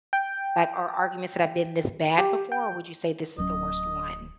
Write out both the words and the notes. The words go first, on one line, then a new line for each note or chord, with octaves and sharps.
like, or arguments that have been this bad before or would you say this is the worst one?
G5
G4
G5
D1 F#3 C#4 D#5